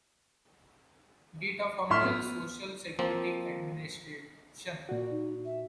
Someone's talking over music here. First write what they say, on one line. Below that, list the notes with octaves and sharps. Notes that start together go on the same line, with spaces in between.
Data from the Social Security Administration.
A1 E5 C6 F6
B3
F3 A#3 C4
A#2 F#4 D5
D#4
E5